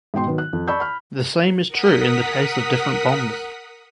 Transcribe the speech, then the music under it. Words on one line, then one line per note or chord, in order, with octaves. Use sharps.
The same is true in the case of different bonds.
G#2 B2 G5 C6
D#3 F#3 B3
F#6
F2
D5 A5 B5 C#6 E6 G6
B5 F6
A#4 F#5 D#6 B6